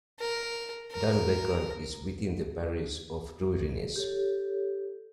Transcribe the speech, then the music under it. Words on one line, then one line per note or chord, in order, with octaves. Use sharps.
Dunvegan is within the parish of Duirinish.
A#4
A#4
G4 A4 C#5